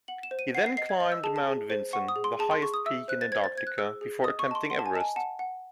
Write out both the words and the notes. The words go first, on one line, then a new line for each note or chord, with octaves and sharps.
He then climbed Mount Vinson, the highest peak in Antarctica, before attempting Everest.
F#5 F#7
E7
C5
D#7
F#5 C7
C7
D#5 C7
G#6
D#5
E6
G#4 A5
A5
G#4
C5
F#5 C#6
D#6
G#4
C6
G#4 A5
C6
G#4 C#6
D#6
E5 E6
C5 F#6
A6
C5 G#6
A6
C5 G#6
F#6
G#4 E6
G#4
D#5 D#6
C#6
D#5 A5
C6
F#5 C6
A5
G#5
D#5 A5
G#5
F#5 A5
F#5